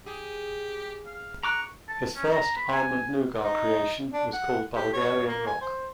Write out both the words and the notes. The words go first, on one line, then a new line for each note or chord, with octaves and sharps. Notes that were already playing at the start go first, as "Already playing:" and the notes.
His first almond noughat creation was called Bulgarian Rock.
G4 G#4
F5
A#5 C#6 D6 F#6
A5
C#4
A#5
B5
G#5
D#4
D4
F#5
G4
C#5
A#3
G#5
C5